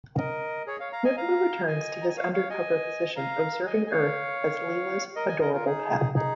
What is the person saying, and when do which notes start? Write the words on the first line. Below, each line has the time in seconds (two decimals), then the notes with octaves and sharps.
Nibbler returns to his undercover position observing Earth as Leela's adorable pet.
0.18 A#4 D#5
0.67 G#4 C#5
0.80 C#5 F5
0.92 F5 A#5
1.05 D#5 G#5
1.17 F5 A#5
1.67 D#5 G#5
2.02 A#5
2.09 G#5
2.17 C#5 F5
2.34 C#5 F5
2.50 D#5 G#5
3.16 F5 A#5
3.66 D#5 G#5
3.87 G#5
3.91 C#5 F5
5.16 A#4 D#5
5.28 D#5 G#5
5.41 A#4 D#5
5.53 F4 A#4
5.65 D#4 G#4
6.15 D#4 G#4